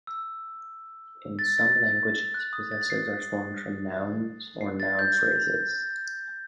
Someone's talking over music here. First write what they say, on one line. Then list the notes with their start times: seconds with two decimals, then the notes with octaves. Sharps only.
In some languages, possessives are formed from nouns or noun phrases.
0.07 E6
1.39 A6
1.58 A6
2.34 F#6
2.53 D#6
2.72 A6
2.90 C7
4.61 C7
4.80 A6
4.99 G6